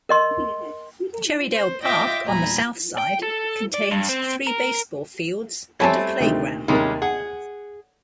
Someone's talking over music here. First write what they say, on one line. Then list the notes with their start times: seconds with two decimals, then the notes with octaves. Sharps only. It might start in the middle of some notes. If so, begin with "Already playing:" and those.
Cherrydale Park on the southside contains three baseball fields and a playground.
0.09 A#4 D#5 C6
1.53 C5
1.83 F4 D#5 E5 G5 D6 A#6
2.26 E2 A#2 G3 G#5 A#5 B5
2.98 G5
3.22 A4
3.74 D5
3.91 G2
4.09 C4
4.47 A#4
5.80 G3 A3 C4 C#5 G#5 A5
6.20 D2 C3 D#3
6.68 D#2 C3 G3 G#3 C#4 A#4
7.02 G#4 F#5